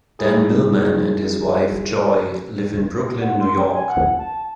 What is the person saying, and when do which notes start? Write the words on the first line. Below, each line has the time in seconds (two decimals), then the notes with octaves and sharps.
Dan Millman and his wife Joy live in Brooklyn, New York.
0.19 G3 D#4 E4 G#4
3.21 F#5
3.40 C6
3.57 G5
3.73 G#5
3.87 F#5
4.18 A5